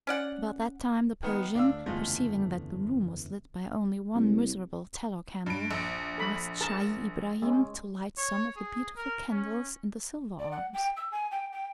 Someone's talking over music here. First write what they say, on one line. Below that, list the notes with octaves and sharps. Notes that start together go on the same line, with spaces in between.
About that time the Persian, perceiving that the room was lit by only one miserable tallow candle, asked Scheih Ibrahim to light some of the beautiful candles in the silver arms.
C#4 D5 F#5
D#3 B3
D2 D4 F5 E6
F#1 E2 D3 G#3 A3 F4
C2
G2 D7
A#1
A4 B5
G#4 A#4 A5
G#3 C#4
C#5
G#4
A#4
C#4
D5
F#5
G5
E6
G#5
G5
G5